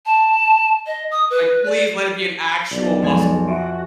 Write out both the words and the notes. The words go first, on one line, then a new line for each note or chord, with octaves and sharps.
Like, "Please let it be an actual muscle car."
A5
D#5
D#6
B4
D5
B1 D5
F2 F3 G#3 G#5
F#4 E5